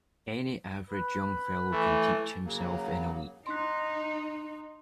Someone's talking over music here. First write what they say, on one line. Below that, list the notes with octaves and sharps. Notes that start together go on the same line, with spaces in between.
Any average young fellow can teach himself in a week.
B4
E3 A3
C#3 F#3 A#3
D#4 C6 F#6